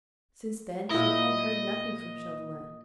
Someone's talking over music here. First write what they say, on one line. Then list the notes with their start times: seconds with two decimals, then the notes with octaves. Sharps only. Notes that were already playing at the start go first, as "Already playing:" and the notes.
Since then she had heard nothing from Chauvelin.
0.90 A#2 E4 D#5